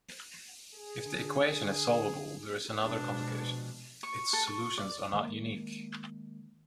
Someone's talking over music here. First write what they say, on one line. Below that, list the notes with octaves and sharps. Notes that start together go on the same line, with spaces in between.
If the equation is solvable, there is another complication: its solutions are not unique.
G#4
D3
B2 F3 G#3 D4
C#6
A4
C#6
D5
D#3 G#3 A#3